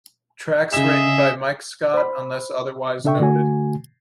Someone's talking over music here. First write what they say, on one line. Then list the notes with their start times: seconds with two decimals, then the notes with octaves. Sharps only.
Tracks written by Mike Scott, unless otherwise noted.
0.73 C#3 G#4 D#5 E5 E7
1.94 C5 B5
3.04 C#3 D4 A4 E5 G5 C#6
3.20 D3 A3 F#4 G#5